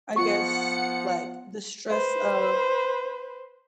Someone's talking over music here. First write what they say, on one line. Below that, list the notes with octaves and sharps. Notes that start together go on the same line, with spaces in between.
I guess, like the stress of
F3 B3 F4 F#5 C#6 C#7
B4 C5